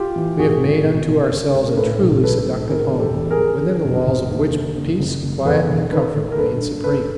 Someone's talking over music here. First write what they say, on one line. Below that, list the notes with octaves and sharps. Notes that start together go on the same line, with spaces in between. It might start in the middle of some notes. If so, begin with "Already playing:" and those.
We have made unto ourselves a truly seductive home, within the walls of which peace, quiet, and comfort reign supreme.
Already playing: F4 G4
E3
G#1 F#4 G#4
G#1
B2
B2
C#2
C#2
A#4
A2 A4 B4
B1
B1 A4 B4
A2
D#3 G#4 A#4
E1
G4 A4
E2
G#4 A#4
E2
D3
F1
F1
D#2
D3
F#1
F#1
F#1
E2 A4 B4
E1
D#3 A4 B4
D#3
A#4
G2 A4 B4
G2
G2 A4 B4